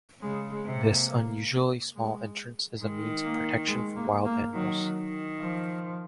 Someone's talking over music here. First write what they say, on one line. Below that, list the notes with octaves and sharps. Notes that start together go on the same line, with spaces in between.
This unusually small entrance is a means of protection from wild animals.
C#3 G#3
G#3
C3
A#3
A#3
G#3
D#3 G#3
A#3
G#3
A#3
A#3
D#3 F#3
D#3
F3